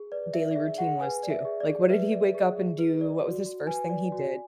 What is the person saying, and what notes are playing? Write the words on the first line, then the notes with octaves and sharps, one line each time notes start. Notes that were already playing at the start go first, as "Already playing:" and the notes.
daily routine was too, like, what did he wake up and do, what was his first thing he did?
Already playing: G#4
B4 D5
D5 E5
D5
G#4 E5
G#4 F#5
B4 G#5
D5
E5
G#4
D5
G#4
B4 E5
D5
G#4
G#4
B4
D5
F#4
F#4
B4 G#5
D5
F#4